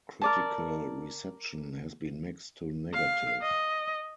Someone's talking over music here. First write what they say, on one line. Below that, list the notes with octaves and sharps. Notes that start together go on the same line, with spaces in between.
Critical reception has been mixed to negative.
A#4 D5 A5
F5
D#5